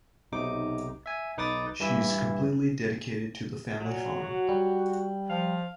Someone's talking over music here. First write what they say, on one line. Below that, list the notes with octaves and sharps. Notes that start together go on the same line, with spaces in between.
She is completely dedicated to the family farm.
B1 C3 D#4 D6
E5 G#5
B1 D#4 B4 D6 D#6 A6
G2 E3 E4 E5
A#2 F#3
F#4
G3
F3 F5